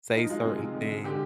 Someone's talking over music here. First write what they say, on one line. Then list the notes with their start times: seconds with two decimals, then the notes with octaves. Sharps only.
say certain things,
0.15 F3 D#4
0.30 G#3 F4
0.45 C3
0.60 G#3
0.75 D3
0.90 G#3
1.04 D3 G4